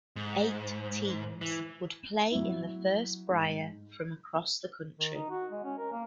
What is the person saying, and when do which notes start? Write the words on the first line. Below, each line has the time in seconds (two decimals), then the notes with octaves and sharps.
Eight teams would play in the first Brier, from across the country.
0.16 G#2
1.41 E3
2.31 F#3 E4
3.30 G#2
4.99 D#3
5.14 D#4
5.30 F#4
5.51 G#3
5.64 C#4
5.78 A#4
5.92 A#3